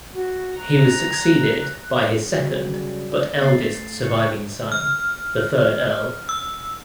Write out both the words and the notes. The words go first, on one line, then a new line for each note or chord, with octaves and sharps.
He was succeeded by his second but eldest surviving son, the third Earl.
F#4
A#5 F#6
C#3 F#3 G3
B3 C4 D#5 A6 C7
A3
C#3 C#5
F6
E6